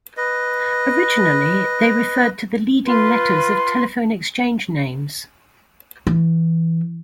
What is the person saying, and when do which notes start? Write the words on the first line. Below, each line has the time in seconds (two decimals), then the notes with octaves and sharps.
Originally, they referred to the leading letters of telephone exchange names.
0.17 B4 D#5
2.85 F4 B4 C6
6.07 E3